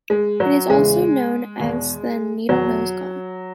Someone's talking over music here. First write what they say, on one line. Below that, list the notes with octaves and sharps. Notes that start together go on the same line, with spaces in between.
It is also known as the needlenose gar.
G#3
F#3
E2 C#3 E3 G#3
E2 B2
E2 B2 F#3